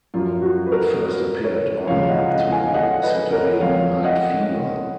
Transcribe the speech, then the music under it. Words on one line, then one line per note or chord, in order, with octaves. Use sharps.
It first appeared on to "Saturday Night Fever".
F#2 F3 F4
F#4
B4
F#4 A#4
A#4 C#5
C#2 C#3 F3 C#5 F5
D#5 F#5
D#5 F#5
F5 G#5
D#5 F#5
B4 D#5
A#4 C#5
F2 F3 C#5 F5
D#5 F#5